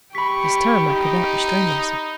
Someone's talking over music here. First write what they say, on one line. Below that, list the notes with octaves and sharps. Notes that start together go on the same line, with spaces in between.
This time I could not restrain myself.
G4 B5 C#6 B6
D#4